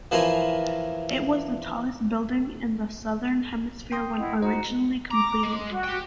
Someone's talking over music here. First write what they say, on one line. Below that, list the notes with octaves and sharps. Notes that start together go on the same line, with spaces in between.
It was the tallest building in the southern hemisphere when originally completed.
E3 F3 E4 A#4 G#5 C6
G5 C6 D#6
E4 D#5 F#5
D#4 F#4 C5 D#5 A#5
A#5 D6
G#3
F#4
G4 G5